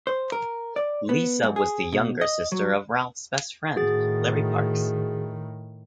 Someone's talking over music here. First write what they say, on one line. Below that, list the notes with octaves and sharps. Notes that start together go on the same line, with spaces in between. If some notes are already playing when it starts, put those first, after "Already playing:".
Lisa was the younger sister of Ralph's best friend, Larry Parks.
C5
A#4
D5
B3
G#2
G#4
B2
D#5
F#3
A2 D#3 F#4 G#4 A6